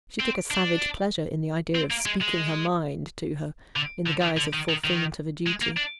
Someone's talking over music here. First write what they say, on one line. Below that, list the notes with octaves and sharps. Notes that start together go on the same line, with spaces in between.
She took a savage pleasure in the idea of 'speaking her mind' to her, in the guise of fulfilment of a duty.
C4
D4
C4
A#3
G#3
G#3
D3
D3
D#3
D3
D#3
D#3
D#3
G#3
A#3
D4